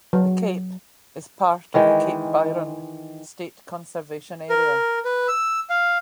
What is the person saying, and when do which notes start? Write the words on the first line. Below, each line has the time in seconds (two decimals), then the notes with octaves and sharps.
The Cape is part of the Cape Byron State Conservation Area.
0.13 F#3
1.74 D#3 E3 G#3 G5
4.49 A#4
5.05 B4
5.28 E6
5.70 F5